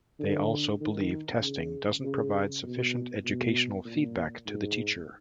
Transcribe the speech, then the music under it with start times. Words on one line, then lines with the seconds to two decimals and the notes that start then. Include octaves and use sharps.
They also believe testing doesn't provide sufficient educational feedback to the teacher.
0.20 D3
0.81 D#3
1.42 C#3
2.02 C#3
2.63 B2
3.25 B2
3.85 A#2
4.46 G#2